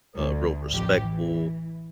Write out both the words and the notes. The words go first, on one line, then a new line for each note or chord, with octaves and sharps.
uh, real respectful,
D2
A1 F2 G4
E3